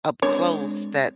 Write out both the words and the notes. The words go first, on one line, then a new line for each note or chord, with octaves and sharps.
up close that
G#3 C4 D4 C#5